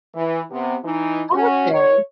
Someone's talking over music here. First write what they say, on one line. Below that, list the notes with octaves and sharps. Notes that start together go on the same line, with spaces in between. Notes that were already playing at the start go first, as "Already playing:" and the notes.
Oh, okay.
E3
C3 B3
E3 D#4
C#4 F#4
C#5